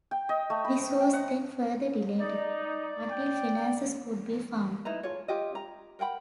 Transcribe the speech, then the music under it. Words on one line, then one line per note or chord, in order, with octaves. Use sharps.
This was then further delayed until finances could be found.
G5
D#5
A3
B5
C4
G5
F#5
D#4 D5
G5
D#4 E4 B4 A#5
F4 G#4 A4 C#5
F4 G4 D#5
A#5
A#4 F#5 G5 B5